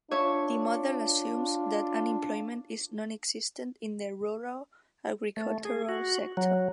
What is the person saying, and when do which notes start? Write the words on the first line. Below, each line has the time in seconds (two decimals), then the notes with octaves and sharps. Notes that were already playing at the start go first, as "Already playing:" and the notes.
The model assumes that unemployment is non-existent in the rural agricultural sector.
0.11 D4 F4 C#5 E5 C#6
5.37 A3
5.65 G#4
5.89 F#4
6.37 F#3